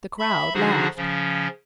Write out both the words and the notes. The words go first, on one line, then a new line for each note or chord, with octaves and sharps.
The crowd laughed.
E5 B5
D3 F3 D4 D#4 F#4 G#4
C#3 F3 C#4